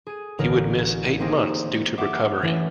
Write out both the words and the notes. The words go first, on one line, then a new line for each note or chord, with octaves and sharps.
He would miss eight months due to recovery.
G#4 D#7
A1 D3 A#4 F6 F#6 D7
A#3 C4 D#4 G4 G#4
E5 F#5 D6 C7
E3 A3 C#4 E4